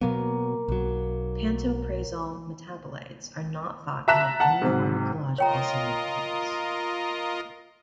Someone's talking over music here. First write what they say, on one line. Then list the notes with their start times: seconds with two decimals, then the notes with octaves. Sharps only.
Pantoprazole metabolites are not thought to have any pharmacological significance.
0.01 B2 F#3 A#3 B3
0.68 B1 F#3
4.08 E5 A5 A#5 F#6 B6 E7
4.40 F#5 A5
4.62 G#2 C3 F#3
5.38 F4 A#4 C#5 D#5 G5 A#5